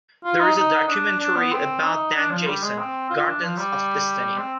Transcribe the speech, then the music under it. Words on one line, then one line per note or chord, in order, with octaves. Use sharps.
There is a documentary about Dan Jason: "Gardens of Destiny".
F4
D#4
D#4
D4
D4
B3
C4
D#4
D4
F3
G3
G#3
C4
F4
D4
F3
G3
C4